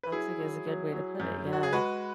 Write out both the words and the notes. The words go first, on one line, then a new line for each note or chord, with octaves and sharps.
Toxic is a good way to put it, yeah.
B4
F#3 E4 G#4
F#3
F#3
F#3
F#2
F#3
F#4
G#4
G#3 F#4 B4